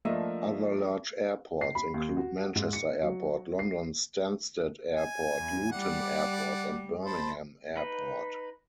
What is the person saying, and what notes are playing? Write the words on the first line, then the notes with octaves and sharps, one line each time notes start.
Other large airports include Manchester Airport, London Stansted Airport, Luton Airport and Birmingham Airport.
F3 A3 A#3 D4 D#5 E5
C7
B5
D#2
F#4
G#2
C#7
F#3
C7
G#5
E2
G3 D5 F#5
C5 A5 B5
D#4 B4